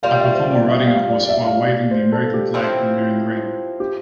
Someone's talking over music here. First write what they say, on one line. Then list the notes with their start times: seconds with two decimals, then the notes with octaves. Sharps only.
A performer riding a horse, while waving the American flag and wearing green.
0.03 G3 A#3 F4 F5
0.20 E5
0.34 C5
0.50 D5
0.67 E5
0.87 F5
1.08 D5
1.24 D5
1.29 E5
1.45 F5
1.61 D5
1.91 C5
2.12 A4
2.34 G4
2.54 F3 C4 E4
3.80 G4